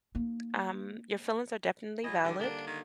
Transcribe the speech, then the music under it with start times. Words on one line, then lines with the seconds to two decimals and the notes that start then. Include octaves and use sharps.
Um, your feelings are definitely valid.
0.15 A#3 D#4
2.04 E3 F#3 D#5
2.24 D3 D#3 G3 G4
2.40 D3 A#3 D4
2.66 D#3